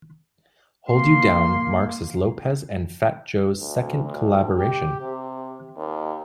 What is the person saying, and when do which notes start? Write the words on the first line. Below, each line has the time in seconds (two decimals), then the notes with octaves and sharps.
"Hold You Down" marks as Lopez and Fat Joe's second collaboration.
0.89 A#3 C6
3.59 D2
4.05 D2
4.56 G4
5.01 C3
5.77 D#2